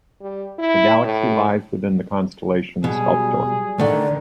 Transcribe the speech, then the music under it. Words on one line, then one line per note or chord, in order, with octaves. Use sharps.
The galaxy lies within the constellation Sculptor.
G3
E4
A2
B2 F#3 G3 G#4
D3 D#3 A3 D5 F#5